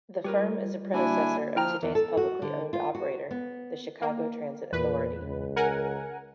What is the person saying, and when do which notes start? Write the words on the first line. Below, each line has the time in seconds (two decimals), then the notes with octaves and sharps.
The firm is a predecessor of today's publicly owned operator, the Chicago Transit Authority.
0.24 G3 F4 G4 A#4 B4 C#5
0.94 D3 A#3 D4 E4 F#4 G#5
1.56 F3 E4 G5 A#5 F6
1.83 E2
1.95 A4
2.17 F#4
2.42 D3
2.73 F4
2.95 F#4
3.31 B3
4.02 A#3
4.73 E2 A#2 B4
5.21 C#2
5.56 A#4 F#5 G#5